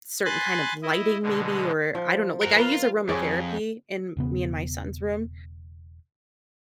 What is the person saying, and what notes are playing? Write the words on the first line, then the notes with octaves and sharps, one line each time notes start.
certain kind of lighting maybe? Or I don't know, like I use aromatherapy in me and my son's room,
G#5 B5 C6 F#6 A6
E4 D#5
B2 D3 G#3
F3
F#4 A#4
F4 A#4 B4
F2 G#4 C5 C#5 D6
E1 C#3 B3